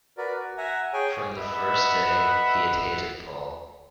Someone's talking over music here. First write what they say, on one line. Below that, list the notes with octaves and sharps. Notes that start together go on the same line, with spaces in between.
From the first day he had hated Paul.
F#4 A#4 B4 D5
F#4
E5 F#5 G#5 A#5
G#4 C#5 G5 G#5
B4 D#5 E5 F#5 B5